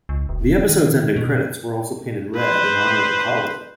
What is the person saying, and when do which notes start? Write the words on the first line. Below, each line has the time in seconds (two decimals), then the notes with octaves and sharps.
The episode's ending credits were also painted red in honor of the holiday.
0.09 C#2
0.29 E1
0.69 D#3
1.16 B2
2.36 B4 C5